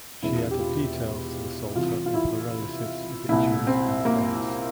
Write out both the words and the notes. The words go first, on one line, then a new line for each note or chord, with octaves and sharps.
She added details to the psalter of her relatives obituaries and prayers.
E1 E2 C3 E4
G4
F4
C2 C3 E3 F4
F4
E4
C2 A#2 E4
C4
A#3